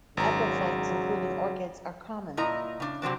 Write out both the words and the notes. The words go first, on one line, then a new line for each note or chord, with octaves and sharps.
Epiphytes including orchids are common.
G#1 C#3 F#3 A#5
A#2 E4 D#5 A#5
C#3 D4
C3 F#3 C4 D4